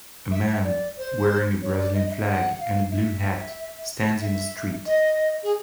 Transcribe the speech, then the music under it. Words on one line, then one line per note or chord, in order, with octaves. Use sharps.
A man wearing a Brazilian flag and a blue hat stands in the street.
E5
D5
C5
C#5
D5
D#5
E5
F#5
F#5
F5
E5
E5
D#5
G#4